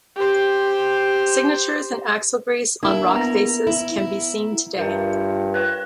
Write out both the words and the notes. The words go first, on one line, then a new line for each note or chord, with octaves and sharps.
Signatures in axle grease on rock faces can be seen today.
G4 C5
A#3 D4 E4
B3 A#5
E4
E4
G2 F4 A#4 E5
B4 C#5 G5 F#6